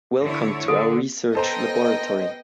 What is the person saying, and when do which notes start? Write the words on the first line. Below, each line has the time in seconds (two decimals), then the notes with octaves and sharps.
Welcome to our research Laboratory.
0.22 D3 E4 C#5
0.68 D3 A4
1.35 B3 A4 C5 D#5 G5 A#5